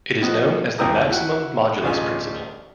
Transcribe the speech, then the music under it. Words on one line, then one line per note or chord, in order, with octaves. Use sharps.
This is known as the maximum modulus principle.
B2 F3 B3 D#5
G#1 D#2 E4 G5 A#5 D#6
E4 F#4
A1 D2 D#4 F4 G#4 G#5